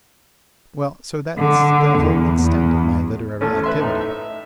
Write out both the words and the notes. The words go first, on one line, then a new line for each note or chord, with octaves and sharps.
Well, so that's the whole extent of my literary activity.
D3
E2
E2
A1 A3 C#4
B4 E5 C6
A2 A3 D#4
E5